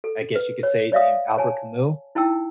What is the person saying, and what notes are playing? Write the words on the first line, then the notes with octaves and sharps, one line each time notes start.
I guess you could say, named Albert Camus
A4
B4
C#5
C#5 D5 E5 F5 D#6
C#5 G#5 A5
D#4 E4 G5 A5 E6